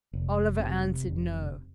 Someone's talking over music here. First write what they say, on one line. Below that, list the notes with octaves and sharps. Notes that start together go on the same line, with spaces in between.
Oliver answered no.
F1
C3
F1